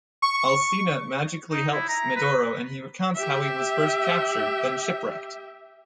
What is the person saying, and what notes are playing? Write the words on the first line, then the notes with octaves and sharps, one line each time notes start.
Alcina magically helps Medoro and he recounts how he was first captured, then shipwrecked.
C#6
D#4
E4
A#5
B4
G4 E5